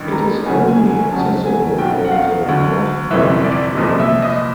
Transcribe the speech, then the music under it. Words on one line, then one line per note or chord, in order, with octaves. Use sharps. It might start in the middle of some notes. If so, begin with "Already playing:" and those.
It is only accessible from the northbound lanes.
Already playing: A1 G2 D#3 B5
A#5
D2 C#3 F#3 G#5
G#5
G#5
F2 C#3 F#3 A5
G#5
B1 B2 F#3 G5
F#5
F5
D2 D3 F#3
G1 F2 C3 E3 E5
D5
C2 A#2 F3 D#5
E5
D#5